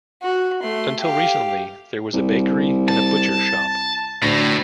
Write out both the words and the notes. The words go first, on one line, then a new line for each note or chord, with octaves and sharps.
Until recently there was a bakery and a butcher's shop.
F#4
A3 C6
G4 F5
C2
A5
D2 A2